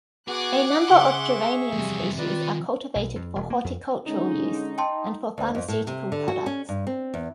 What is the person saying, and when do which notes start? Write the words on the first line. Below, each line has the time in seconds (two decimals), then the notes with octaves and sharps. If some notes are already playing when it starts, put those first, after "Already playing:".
A number of geranium species are cultivated for horticultural use and for pharmaceutical products.
0.28 B3 F#4 G#4 F#5 D6 F#6
0.89 C#3 G#4 E5 C6 C#6
1.72 E2 C3 F3 G3
2.18 D#3 F4 B4 D5
2.95 B1
3.16 F2
3.36 E1
3.50 A#3
3.64 F2
4.06 D3 G#3 C#4 D#4
4.78 G5 A5 C6
5.38 D2
5.55 F2
5.68 A2
5.87 C3
6.12 D3
6.28 F#4
6.46 C#4
6.69 G2
6.87 C4
7.14 E2